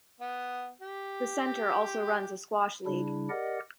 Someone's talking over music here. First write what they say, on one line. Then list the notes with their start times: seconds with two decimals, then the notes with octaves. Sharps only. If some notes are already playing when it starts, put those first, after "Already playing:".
The centre also runs a squash league.
0.20 B3
0.81 G4
2.86 C#3 G3 D4 E4
3.29 G4 A#4 D5 D#5 F#5